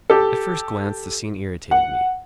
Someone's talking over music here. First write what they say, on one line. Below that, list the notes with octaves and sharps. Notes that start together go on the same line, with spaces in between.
At first glance the scene irritated me.
G4 A4
F#5